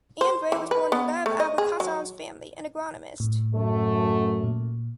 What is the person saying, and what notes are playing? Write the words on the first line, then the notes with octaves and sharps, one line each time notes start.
Andreï was born in Lev Abrikossov’s family, an agronomist.
C5
E3
B4
B3
A3
D#5
G#4
F#3
A2
F#2 A3
A#2